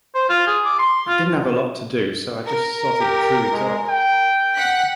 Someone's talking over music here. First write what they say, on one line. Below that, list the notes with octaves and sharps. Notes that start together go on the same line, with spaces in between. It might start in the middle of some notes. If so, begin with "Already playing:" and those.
I didn't have a lot to do, so I just sorta drew it up.
C5
F4
G#4
D6
C6
F4
A#4
G4
G#3
G5
F#5 F#6 B6